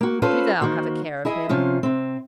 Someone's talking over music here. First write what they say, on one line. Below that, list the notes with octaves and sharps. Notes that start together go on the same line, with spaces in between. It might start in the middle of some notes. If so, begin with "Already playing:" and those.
Do Thou have a care of him.
A#3 F#4
C#4 F4 A4 B4 C5
D#3 A#3 F#4 C5
E4 G#4 D#5 E5
C3 F3 C#4 F4
C3 C4